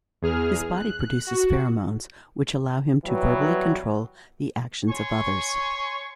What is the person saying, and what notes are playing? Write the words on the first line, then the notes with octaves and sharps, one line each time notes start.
His body produces pheromones which allow him to verbally control the actions of others.
E2 G#4 F6
F#6
F#4
E3 F#3 G3 B3
C#5 G#5 C6 C#6